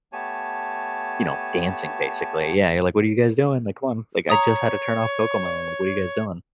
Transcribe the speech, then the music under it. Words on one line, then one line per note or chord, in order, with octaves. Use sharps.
you know, dancing, basically. Yeah you're like, "What are you guys doing? Like, come on, like, I just had to turn off Cocomelon, like, what are you guys doing?"
A3 B3 G4 C#5 G#5 A5
C#5 A#5 D#6